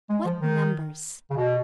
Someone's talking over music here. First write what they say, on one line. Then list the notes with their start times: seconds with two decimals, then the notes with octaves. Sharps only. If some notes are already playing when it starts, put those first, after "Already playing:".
What numbers!
0.10 G#3
0.25 F3
0.41 D#3
1.30 C#3
1.37 B2